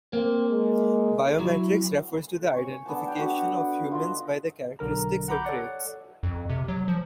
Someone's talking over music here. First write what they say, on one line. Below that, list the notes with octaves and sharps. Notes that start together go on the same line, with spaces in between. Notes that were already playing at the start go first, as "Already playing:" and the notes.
Biometrics refers to the identification of humans by their characteristics or traits.
A#3 C4
G#3
F#3 E4
C#5 G#5
D3 B3 D5 A5
C#5 G5
D3 F#4 G4
F4 D#5
B1 D3 A#4 A#5
F#5 A#5 B5 D6 G6
A4 C#5 D5 F#5
F2
C3
F#3
F3